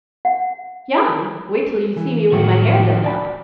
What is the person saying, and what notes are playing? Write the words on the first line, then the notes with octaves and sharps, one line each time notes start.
"Young!--Wait till you see me with my hair done up."
F#5
E3
A2 D#3 F3 F#4
D5 A5 B5